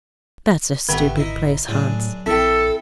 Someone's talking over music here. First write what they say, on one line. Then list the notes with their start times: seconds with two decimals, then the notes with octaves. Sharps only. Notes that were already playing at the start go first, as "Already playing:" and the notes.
'That's a stupid place, Hans.
0.89 G#1 D3 A3 B3 G4
1.17 D#4 E4
1.68 F#2 A2 D4 G#4
2.26 A#1 C4 E4 A4 G5